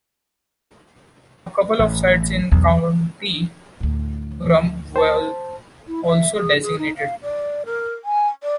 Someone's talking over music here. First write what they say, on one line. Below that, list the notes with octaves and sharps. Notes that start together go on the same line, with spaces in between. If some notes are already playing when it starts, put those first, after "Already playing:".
A couple of sites in County Durham were also designated.
A1
B1 E2
D2 A2
C5 A5
E4
E5
G#4
G#4
D#4
F5
D5
A#4
G#5
D5